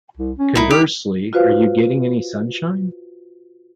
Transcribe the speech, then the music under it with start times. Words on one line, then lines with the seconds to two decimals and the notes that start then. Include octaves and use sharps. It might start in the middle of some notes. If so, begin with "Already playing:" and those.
Conversely, Are You Getting Any Sunshine?
0.17 C2
0.38 C#4
0.55 C2 D#4 E4
0.71 D#4 G4
1.33 F4 F#4 B4 C5 F5